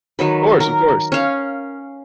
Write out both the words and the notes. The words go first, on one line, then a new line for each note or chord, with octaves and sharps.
Course, of course.
D#3 F#3 B4
A#4
C#4 F5